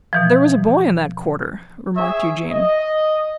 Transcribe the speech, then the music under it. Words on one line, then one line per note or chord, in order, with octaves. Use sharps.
'There was a boy in that quarter,' remarked Eugene.
B2 E3 F3
G#4 C#5 E5
D#5